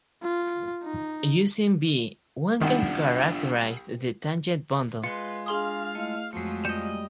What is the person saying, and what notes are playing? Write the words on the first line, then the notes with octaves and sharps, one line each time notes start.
Using "V" one can characterize the tangent bundle.
F4
D#4
C2 D#3 B3 D4 F4
G#3 F4 B4 C6 C#7
D4 G#4 F5 G#5 C6 D#6 F6
A3 E4 D#5
F2 F3 F#3 G#3 A3
G3 D#5 G6 C#7 E7